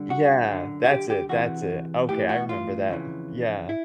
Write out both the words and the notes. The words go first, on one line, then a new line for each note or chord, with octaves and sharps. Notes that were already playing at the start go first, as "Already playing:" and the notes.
yeah, that's it, that's it, okay, I remember that, yeah.
Already playing: G2 D3
F#4
F#2 D3
F#4
G4
G4
E2 C3 E3 F#4
A2 E3 G4
F#4
F4
F2 C#3 E3
E4